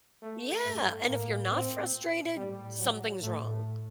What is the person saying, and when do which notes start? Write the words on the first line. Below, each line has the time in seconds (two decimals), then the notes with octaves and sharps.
Yeah! And if you're not frustrated, something's wrong.
0.22 A3
0.65 G2 A3
1.08 A2 A#3
1.51 A#2 C4
2.36 A2 G3
2.78 F#3
3.21 A2 A3